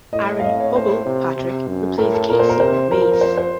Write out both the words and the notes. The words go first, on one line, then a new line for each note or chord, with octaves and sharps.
Aaron "Bubble" Patrick replaced Casey on bass.
A2 D#5
F5
D#5
C#5
C5
C3
C3
F#2
A2 A#4
A4
A#2 A#4
C5
A#4
C3 C5
F3 A#4
A#4
A#4
C5
C5